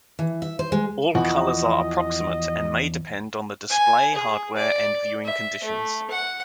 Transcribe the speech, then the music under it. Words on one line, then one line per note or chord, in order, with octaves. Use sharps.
All colors are approximate and may depend on the display hardware and viewing conditions.
E3
E5
C5
G#3
E2 E3 F3 F#4 D#5
G#5
G#4
D5
E5
A3
F#5